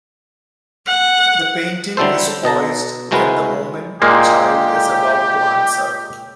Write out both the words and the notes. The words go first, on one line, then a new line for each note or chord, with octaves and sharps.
The painting is poised at the moment the child is about to answer.
F#5
D3 F#3 G3 E4 A4 C5
B2 D#5 A5 A#5
C2 C3 G#3 F#4 A#4 B4
A#2 G#3 A#3 G4